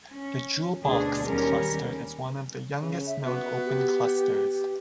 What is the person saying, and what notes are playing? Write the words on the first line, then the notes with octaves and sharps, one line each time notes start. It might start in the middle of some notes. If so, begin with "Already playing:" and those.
The Jewel Box cluster is one of the youngest known open clusters.
C#4
D2 B2 D3 D4 G#4
D#2 G3 C#4 A#4
C#3
E5
B3 F#4
G4